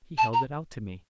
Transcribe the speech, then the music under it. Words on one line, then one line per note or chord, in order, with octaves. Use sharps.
He held it out to me.
A5
A#5